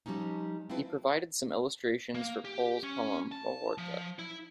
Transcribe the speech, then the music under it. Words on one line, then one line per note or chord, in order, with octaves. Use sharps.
He provided some illustrations for Pol's poem 'Mohorta'.
F3 G3 A#3 C#4 D#4
C4 D4 E4 F4 G4 B4
A#3
G4
C#4
A5
F3
E4